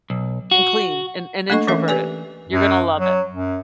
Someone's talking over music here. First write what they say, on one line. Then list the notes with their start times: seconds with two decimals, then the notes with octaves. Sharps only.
and clean and and introverted, you're gonna love it.
0.10 B1
0.51 F#4
1.50 A3 A#3 D4 A4 D#5 C#6
1.67 E3 C#4 A#4 E5
1.88 G4 B4 D5 G#5
2.49 F#2
3.00 F#3
3.31 F#2